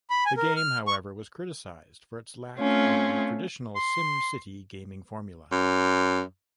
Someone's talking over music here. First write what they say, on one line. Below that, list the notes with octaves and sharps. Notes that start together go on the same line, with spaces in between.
The game however was criticized for its lack of the traditional SimCity gaming formula.
B5
G#5
A#4
F6
C#6
A3 C4 C#4 F4
C6
F#2